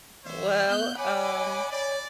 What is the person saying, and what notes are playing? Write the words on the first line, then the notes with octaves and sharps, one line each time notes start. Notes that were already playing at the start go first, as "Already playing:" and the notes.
Well, um
E3 C5 C#5 E5
B3 F#6 G6
C#5 D#5 F#5 G#5 B5 D6
C#5 D5